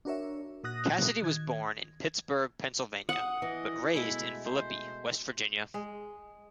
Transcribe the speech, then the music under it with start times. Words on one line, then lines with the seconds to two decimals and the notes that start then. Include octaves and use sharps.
Cassidy was born in Pittsburgh, Pennsylvania, but raised in Philippi, West Virginia.
0.05 D4 F#4 A#4 C#5 E5
0.64 A#2 F#4 D#6 F#6 A#6
1.22 D#3 G#6
3.09 F#5 D#6
3.42 E3 D#5
3.94 B2 G#3 A3 E4
4.45 C5
5.74 G#3